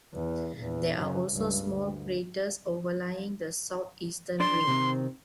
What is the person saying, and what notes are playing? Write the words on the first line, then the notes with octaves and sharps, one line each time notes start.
There are also small craters overlying the southeastern rim.
E2
A#1 E2
F#2 C#3
C#2 G2
D2
D4 A4 D5 C6
C3 D#3 C4